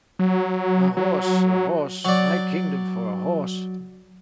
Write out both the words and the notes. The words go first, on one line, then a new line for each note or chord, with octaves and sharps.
A horse, a horse! My kingdom for a horse!
F#3
F#3
F#3 D5